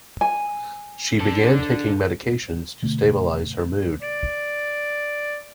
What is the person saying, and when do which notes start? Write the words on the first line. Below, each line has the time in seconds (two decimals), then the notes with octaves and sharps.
She began taking medications to stabilize her mood.
0.21 G#5
1.21 D3 A4
2.82 B2 D3 A3
4.02 D5